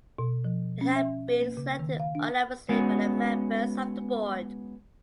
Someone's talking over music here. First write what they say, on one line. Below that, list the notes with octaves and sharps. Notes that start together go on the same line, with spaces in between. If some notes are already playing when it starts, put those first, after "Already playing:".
He had been selected unanimously by the members of the board.
B2
F3
C#4
E5
B4
A#3
C#3
D#3
F5
D4
G#3 B3 C#4 F#4